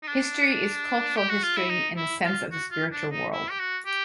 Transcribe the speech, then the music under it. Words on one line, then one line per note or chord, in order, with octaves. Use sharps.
History is cultural history in the sense of the spiritual world.
D#4
D4
G4
F#4
F4
E4
D#4
E4
F4
F#4
F4
D4
D#4
E4
G4
F#4
G4